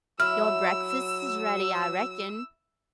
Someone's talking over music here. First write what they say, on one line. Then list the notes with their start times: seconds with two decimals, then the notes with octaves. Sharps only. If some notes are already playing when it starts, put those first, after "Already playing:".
Your breakfast's ready, I reckon.
0.20 F#3 E4 E6 F6